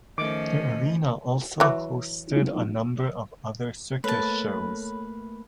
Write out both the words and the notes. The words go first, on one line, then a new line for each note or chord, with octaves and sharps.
The arena also hosted a number of other circus shows.
D#3 F3 A3 C#4 D#5 D6
E3 F#3
A3 A#3 A4 B4 C#5 A5 B5